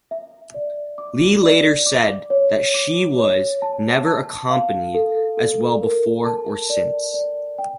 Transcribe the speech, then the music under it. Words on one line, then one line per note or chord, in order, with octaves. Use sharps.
Lee later said that she was never accompanied as well before or since.
E5
D5
D6
D5
D6
C#5
D6
C#5
A5
A5
F5
A4
A4
A#4
A5
D5
D5
G5